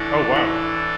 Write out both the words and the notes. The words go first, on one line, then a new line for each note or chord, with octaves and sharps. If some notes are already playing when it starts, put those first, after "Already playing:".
Oh, wow.
Already playing: A2 E3 A3 D4 E4 A4
E4